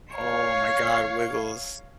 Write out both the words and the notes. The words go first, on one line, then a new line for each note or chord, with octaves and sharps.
Oh my god, Wiggles.
C#5 F5